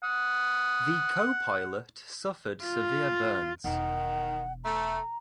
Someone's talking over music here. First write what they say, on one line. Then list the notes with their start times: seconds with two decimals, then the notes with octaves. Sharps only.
The co-pilot suffered severe burns.
0.03 F#5 D#6
2.64 F4
3.64 E1 D#3 F#5
4.64 A3 A#5